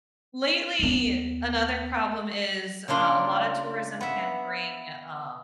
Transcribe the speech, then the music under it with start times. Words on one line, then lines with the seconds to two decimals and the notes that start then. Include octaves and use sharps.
Lately, another problem is, uh, a lot of tourism can bring, um
0.79 D#2 B3
2.88 C#3 A#3 D4 F4
4.01 B3 E5